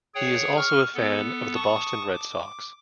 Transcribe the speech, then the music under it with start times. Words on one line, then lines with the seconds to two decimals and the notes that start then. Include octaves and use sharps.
He is also a fan of the Boston Red Sox.
0.15 G#4 C#5 F#5 G5
0.57 C#6 F6
0.94 B3 A4
1.55 A5 C#6 D#6
2.14 D6